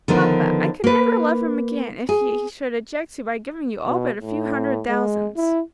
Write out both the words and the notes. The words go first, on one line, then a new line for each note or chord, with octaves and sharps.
"Papa, I could never love him again, if he should object to my giving you all but a few hundred thousands."
D3 D#3 F3 B3
A#3 B4
G#4
B2
A2
G#3
E4